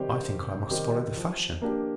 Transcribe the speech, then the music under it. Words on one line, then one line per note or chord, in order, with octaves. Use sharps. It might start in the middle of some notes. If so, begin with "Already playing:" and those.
I think I must follow the fashion.
Already playing: C3 D#3 G3 C4 G4
C3
D#3 G3 C4 G4
F3
A#3 D4 G4